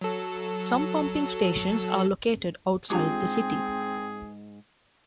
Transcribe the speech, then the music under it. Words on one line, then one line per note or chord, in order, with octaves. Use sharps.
Some pumping stations are located outside the city.
F#3 A4
G#2 C4 D4 F4 G4 G#4